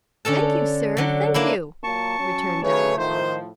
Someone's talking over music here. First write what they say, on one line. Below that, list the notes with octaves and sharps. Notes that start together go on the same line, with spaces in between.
"Thank you, sir, thank you," returned Diamond.
D3 C#4 A4 A5
D3 F#3
A#3 D4 E4
A#2 F#3 A#3 A5 C#6
F#3 C#4
C#3 F#3 A3 G#4 B4 C#5
A2 D#3 F3 C5